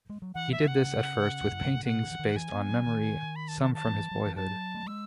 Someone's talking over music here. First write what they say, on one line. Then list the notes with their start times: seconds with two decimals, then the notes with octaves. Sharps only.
He did this at first with paintings based on memory, some from his boyhood.
0.10 G#3
0.22 F#3
0.35 E3 F#5
0.52 E5
0.60 C#3
0.68 F#5
1.41 E2
1.51 F#2
1.63 G#2
1.75 A2
1.85 B2 F#5
2.02 D#3
2.11 E3
2.19 D#3
2.36 E3 G#5
2.53 B3
2.69 F#3
2.86 D#3
3.36 B5
3.48 A5
3.62 A5
3.74 A5
3.86 E3
4.11 F#3
4.26 E3
4.36 F#3 A5
4.74 A3
4.86 G#3 E6